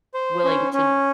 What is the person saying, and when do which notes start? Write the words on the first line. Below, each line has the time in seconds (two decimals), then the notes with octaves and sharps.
willing to
0.14 C5
0.44 C#4
0.73 C#4